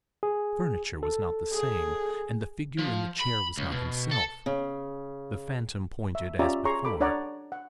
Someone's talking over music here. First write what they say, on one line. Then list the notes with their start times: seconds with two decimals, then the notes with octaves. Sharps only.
The furniture was not the same, and the figure in the chair was not himself. The Phantom pointed as before.
0.23 G#4
1.03 A4
1.53 G#4
2.78 F3
3.21 B5
3.57 C#2
3.72 B2
4.11 A4
4.46 C#3
6.15 E5
6.39 C#4 F4 G4 D5 E5 A#5
6.65 G#4 C#5 A#5 C6 C#6
6.85 A4 B5 D6
7.00 D4 C#5 D5 F#5 A#5
7.52 F#5